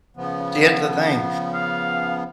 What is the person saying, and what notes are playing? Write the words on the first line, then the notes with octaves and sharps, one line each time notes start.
here's the thing.
C#3 F3 B3
F5